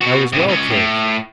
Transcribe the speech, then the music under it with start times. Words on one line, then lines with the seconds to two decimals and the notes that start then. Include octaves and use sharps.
I was well cared for.
0.01 B2 F#4
0.33 G#2 C3
0.48 C#2 C#4
0.71 A2